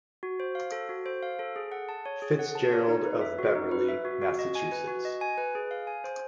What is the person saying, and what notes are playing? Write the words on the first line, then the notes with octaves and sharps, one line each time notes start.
Fitzgerald of Beverly, Massachusetts.
F#4
C5
F5
A4
F#4
C5
F5
A4
G#4
F#5
A5
C#5
G#4
F#5
A5
C#5
D#4
B4
E5
F#4
D#4
B4
E5
F#4
F#4
D#5
G#5
B4
F#4
D#5
G#5
B4
G#4
F5
G#5
C5